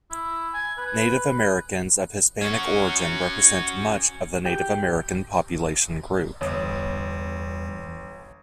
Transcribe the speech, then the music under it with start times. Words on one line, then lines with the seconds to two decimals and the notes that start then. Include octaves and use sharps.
Native Americans of Hispanic origin represent much of the Native American population group.
0.11 E4
0.54 G#5
0.78 B4
2.41 C#4 F#4
4.46 G4
6.41 G1 E2 E3 G3 C#5 D#6